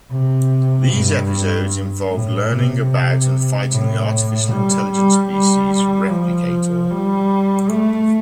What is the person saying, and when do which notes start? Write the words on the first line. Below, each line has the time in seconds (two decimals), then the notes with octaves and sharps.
These episodes involved learning about and fighting the artificial intelligence species Replicator.
0.11 C3
0.92 G2
2.11 A2
2.51 C3
3.72 A2
4.51 G3
4.91 G3
5.30 G3
6.10 F3
6.91 G3
7.70 A3